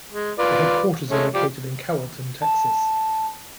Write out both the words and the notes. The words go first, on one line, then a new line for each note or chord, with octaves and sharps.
The headquarters are located in Carrollton, Texas.
G#3
F4 B4 D5
G#3 A3 C#4
F3 G4 D5
A5